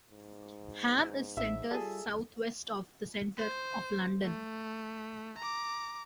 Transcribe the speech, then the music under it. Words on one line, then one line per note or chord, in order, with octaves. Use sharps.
Ham is centred south-west of the centre of London.
G#2
A1 E5
G3 F4 G#4 A4
C5
A3
A#5 D6